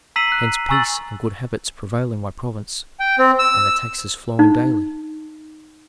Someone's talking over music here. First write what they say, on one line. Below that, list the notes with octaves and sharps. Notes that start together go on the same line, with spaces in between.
"Hence peace and good habits prevail in my province, and the taxes flow in daily."
A#5 E6 B6 C7 D#7 F#7
F#6
G#5 A#5 C#6 E6 A6 F#7
G5
C4
E6
D#4